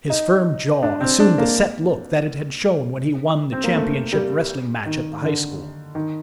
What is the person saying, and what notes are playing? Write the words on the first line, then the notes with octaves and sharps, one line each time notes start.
His firm jaw assumed the set look that it had shown when he won the championship wrestling match at the high school.
D#4
D4
C4
D4
A#3
C4
A#3
A3
G3
D#3
D3
D#3